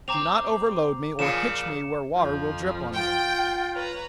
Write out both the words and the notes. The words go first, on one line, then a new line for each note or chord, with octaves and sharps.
Do not overload me or hitch me where water will drip on me.
C4 A#5 D6 F7
A#2 C#3 F3 C#7 E7
F2 F3
F4 G5
B4 C#5 A#5